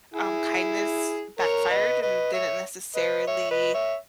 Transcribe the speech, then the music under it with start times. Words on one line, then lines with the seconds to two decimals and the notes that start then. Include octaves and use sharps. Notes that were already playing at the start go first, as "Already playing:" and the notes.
um, kindness backfired and didn't necessarily
0.14 E4 G#4
1.39 A#4 C#5
1.70 B4 D#5
2.02 B4 D#5
2.33 C#5 E5
2.95 B4 D#5
3.27 C#5 E5
3.51 B4 D#5
3.74 C#5 E5